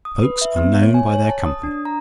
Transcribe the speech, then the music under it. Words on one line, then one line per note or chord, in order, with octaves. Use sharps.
Folks are known by their company.
D#6
B4
E5
B3
C#5
G#5
C#5
A5
D#6
D4
A#5